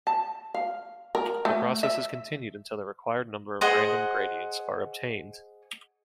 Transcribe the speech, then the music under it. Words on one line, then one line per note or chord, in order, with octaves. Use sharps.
The process is continued until the required number of random gradients are obtained.
A5
F5
A#4
A3
E5
G#4 C5 D#5 F#5